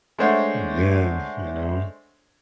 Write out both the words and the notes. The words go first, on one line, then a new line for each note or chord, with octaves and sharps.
Yeah, you know,
G#3 A3 D4 C5 C#5 F#5